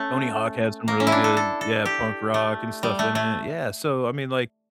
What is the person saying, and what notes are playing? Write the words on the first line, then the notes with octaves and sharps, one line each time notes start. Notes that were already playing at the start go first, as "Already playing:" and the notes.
Tony Hawk had some really good, yeah, punk rock and stuff in it. Yeah, so I mean, like
Already playing: A3 C#4
A#3
C#4
E4
D4
A4
A4
A4
G4
A3
G3
A3
A3